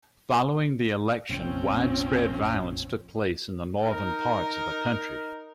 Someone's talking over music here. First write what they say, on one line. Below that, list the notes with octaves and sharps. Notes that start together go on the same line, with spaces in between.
Following the election widespread violence took place in the northern parts of the country.
F1 A#1 F2 F3 C4 C#4
D#4 A#4